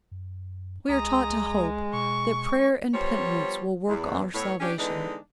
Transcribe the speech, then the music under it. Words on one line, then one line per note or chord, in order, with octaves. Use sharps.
'We are taught to hope, that prayer and penitence will work our salvation.
F#2
C#2 G#3 A#5 D#6
B2 C#6
F3 G3 B3 C5 C#5
E2
A2 B3 C#5
C#4 D4 G4
D3 E3 G#3 B3 D4 D#4